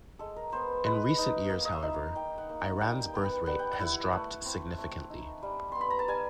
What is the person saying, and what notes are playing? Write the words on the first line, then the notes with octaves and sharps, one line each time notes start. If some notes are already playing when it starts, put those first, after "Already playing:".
In recent years, however, Iran's birth rate has dropped significantly.
G#3 A4
A#4
B3 C5
G#3 B4
D#4
A#3 F5
D#5
E5
D#4
F5
D#4 G5
F#5
A#3
F#5
G3 G5
G5
B3 G5
F#5
G3 F#5
G5
F#5
E4
A3
C4
A3
D#4
G3
B3 C6
B5
A#5
A5
G3 G#5